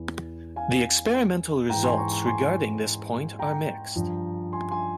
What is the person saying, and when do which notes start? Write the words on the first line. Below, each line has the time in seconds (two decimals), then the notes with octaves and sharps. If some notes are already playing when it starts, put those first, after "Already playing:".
The experimental results regarding this point are mixed.
Already playing: E2 E3
0.56 F5 G#5
1.69 G#2 E3 G5 A#5
1.83 G#5 C6
1.98 A#5 C#6
2.12 A#5 C#6
2.26 G#5 C6
3.39 G5 A#5
3.96 G2 F3
4.53 G#5 C6
4.71 G#5 C6